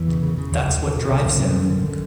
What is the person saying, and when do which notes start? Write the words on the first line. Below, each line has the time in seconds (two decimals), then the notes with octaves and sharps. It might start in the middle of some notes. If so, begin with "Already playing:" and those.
That's what drives him.
Already playing: E2 E3
0.08 C#3
0.23 C#3
0.38 C#3
0.52 D#2 D3
0.67 C#3
0.81 C#3
0.97 B2
1.11 C2
1.26 C2
1.40 F#2 D#3
1.55 F#2
1.70 D3